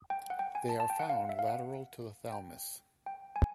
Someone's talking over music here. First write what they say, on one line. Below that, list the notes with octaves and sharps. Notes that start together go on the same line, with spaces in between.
They are found lateral to the thalamus.
G5
F#5
G5
G#5
A5
A5
G5
F#5
F5
E5
F5
F#5
G5
G5
G#5